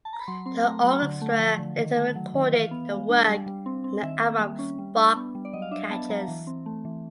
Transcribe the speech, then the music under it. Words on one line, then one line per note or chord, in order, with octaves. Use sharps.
The orchestra later recorded the work on their album "Spark Catchers".
A5
A#5
B5
F#3 C6
C4 C6
A3 A#5
F#3 F#5
D3
A3
F3
D3
D#3
A3
F#3
D#3
E3 F5
B3
G#3
D4
G3
G3
C4
C4
D#3 E5
A#3
G3
C#4
G3
D4
B3
G3
D5
F#3 D#5
F5
D4 E5
B3 A5
F#3 A#5
E3
C4
A3
E3